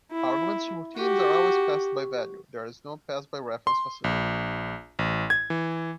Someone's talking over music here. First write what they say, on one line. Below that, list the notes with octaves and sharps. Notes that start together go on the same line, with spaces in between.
Arguments to routines are always passed by value; there is no pass-by-reference facility.
E4
F#4 G4
C6
A#1
A1
G#6
E3